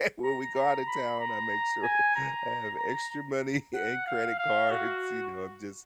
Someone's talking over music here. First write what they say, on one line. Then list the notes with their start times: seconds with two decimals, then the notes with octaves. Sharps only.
when we go outta town, I make sure I have extra money and credit cards. You know, I'm just
0.24 A#5
0.55 A#5
0.87 B5
1.20 A#5
1.83 G#5
2.16 A#5
2.79 A#5
3.74 F#5
4.07 F5
4.39 F5
4.70 F#4